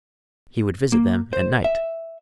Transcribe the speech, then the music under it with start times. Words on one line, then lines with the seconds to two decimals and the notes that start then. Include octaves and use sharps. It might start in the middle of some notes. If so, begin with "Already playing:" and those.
He would visit them at night.
0.92 A#3
1.33 C5
1.64 E5